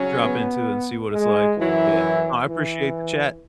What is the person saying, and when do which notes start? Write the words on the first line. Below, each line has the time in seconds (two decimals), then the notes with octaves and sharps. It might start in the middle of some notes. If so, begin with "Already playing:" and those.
drop into it and see what it's like, yeah. No, I appreciate the chat.
Already playing: C#3 F#3 C#4
0.20 B3
1.11 G#3
1.57 F#2 E3 F#3 E4
2.48 E3